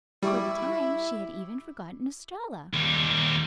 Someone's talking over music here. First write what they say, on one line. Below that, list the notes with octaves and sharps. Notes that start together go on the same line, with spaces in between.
For the time she had even forgotten Estralla.
G3 E4 G4 C#6 D6
D#2 G3